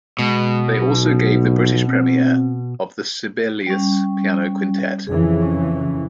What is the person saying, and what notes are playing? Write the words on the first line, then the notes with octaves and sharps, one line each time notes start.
They also gave the British premiere of the Sibelius piano quintet.
B2 G#3
B1
C4
G3 C#4
F2 C#3 E3 G#4
C#4